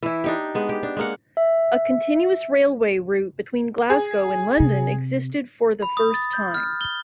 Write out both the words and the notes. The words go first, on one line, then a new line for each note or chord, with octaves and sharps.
A continuous railway route between Glasgow and London existed for the first time.
E3 E4
D4 D#4 G4
G#3 B3
G4
D4
G#3 A#3 F#5
E5
G#4
C3
B5
D#6
A6
G6
F6
G7